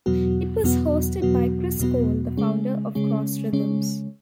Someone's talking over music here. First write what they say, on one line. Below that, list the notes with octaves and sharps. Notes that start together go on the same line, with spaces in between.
It was hosted by Chris Cole, the founder of Cross Rhythms.
E2 B2 F#3 B3 F#4
E2 B2 F#3 B3 F#4
E2 B2 F#3 B3 F#4
E2 B2 F#3 B3 F#4
C#3 G#3 C#4
C#3 G#3 C#4
C#3 G#3 C#4